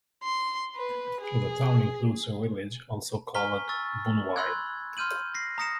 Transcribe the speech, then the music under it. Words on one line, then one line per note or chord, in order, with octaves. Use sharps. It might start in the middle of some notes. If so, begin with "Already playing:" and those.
The town includes a village, also called Boonville.
C6
B4
G#4
G#5 A#5 C#6 F6 B6 G7
C#6 E6 A6
B5 C6 E6 F#6 G#6
C6 F6 G6 D#7 F#7
A#6 C7
A#5 D#6 A#6 C#7 E7